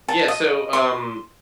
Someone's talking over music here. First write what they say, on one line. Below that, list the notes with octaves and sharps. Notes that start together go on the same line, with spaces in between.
Yeah, so, um,
A5
D#5
C6